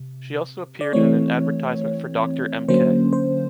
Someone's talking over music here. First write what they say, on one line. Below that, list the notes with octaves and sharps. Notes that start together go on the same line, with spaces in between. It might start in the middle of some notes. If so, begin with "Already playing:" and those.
She also appeared in an advertisement for Dr. M. K.
Already playing: C3
D5
E3 A3 C4 C#5
D3 F#3 A#3 C#4 C5
C5